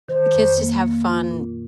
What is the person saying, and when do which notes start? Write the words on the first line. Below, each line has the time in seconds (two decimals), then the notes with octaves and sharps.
the kids just have fun
0.09 D#3 C5
0.34 F2
0.58 A#3
0.82 A#3
1.07 F4
1.31 A#2